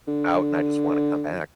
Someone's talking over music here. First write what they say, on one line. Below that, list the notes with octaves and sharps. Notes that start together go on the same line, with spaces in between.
out and I just wanna come back.
D3